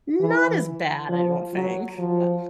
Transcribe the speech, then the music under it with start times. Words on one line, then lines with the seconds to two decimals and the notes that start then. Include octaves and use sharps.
Not as bad, I don't think, but
0.20 E3
1.09 F3
1.54 F#3
1.98 F3